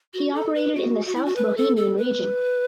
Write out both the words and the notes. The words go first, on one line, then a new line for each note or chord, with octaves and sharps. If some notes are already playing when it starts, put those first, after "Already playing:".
He operated in the South Bohemian Region.
F#4
A4
B4
F#4
F#4
E4
F#4
B4
A4
A4
B4